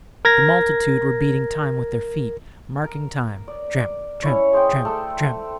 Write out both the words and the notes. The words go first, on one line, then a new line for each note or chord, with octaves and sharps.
The multitude were beating time with their feet--marking time, tramp, tramp, tramp, tramp.
A#4 G#6 A#6
A#4
D5
C#4 E4 C#5
G#4 C5 D#5 G5
A3 D6 E6